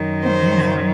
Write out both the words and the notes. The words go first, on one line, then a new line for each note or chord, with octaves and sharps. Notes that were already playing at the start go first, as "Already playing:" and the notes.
Oh, yeah.
Already playing: F#2 D#3 F#3
C5